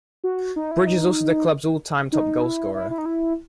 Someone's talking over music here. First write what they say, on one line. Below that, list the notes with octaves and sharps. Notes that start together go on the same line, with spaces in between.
Bridge is also the club's all-time top goalscorer.
F#4
D#4
E4
D#4
D#4
E4
E4
E4
D#4
E4